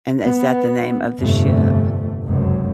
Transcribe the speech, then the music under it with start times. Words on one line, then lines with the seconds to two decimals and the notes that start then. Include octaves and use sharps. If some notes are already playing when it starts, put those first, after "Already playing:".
And is that the name of the ship?
0.24 B3
1.21 G1 F2 C3 A3
2.26 F1 C#2 F#2